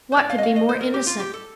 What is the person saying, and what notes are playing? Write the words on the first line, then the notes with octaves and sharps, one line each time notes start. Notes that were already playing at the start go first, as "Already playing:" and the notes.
What could be more innocent?
C5
A2 D5
F5
D#5
F5
D#5
C5
A#4
G4
F4
G4
A4